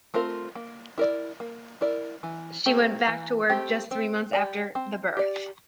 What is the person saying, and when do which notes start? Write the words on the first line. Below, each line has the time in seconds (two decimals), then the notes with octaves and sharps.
She went back to work just three months after the birth.
0.14 A3 C4 F4 A#4
0.55 A#3
0.98 E4 A#4 D5
1.40 A#3
1.81 E4 A#4 D5
2.23 E3
2.66 A3 C4 G4
3.07 E3
3.49 A3 C4 G4
3.91 C4
4.33 G4 D5
4.75 C4
5.17 G4 D5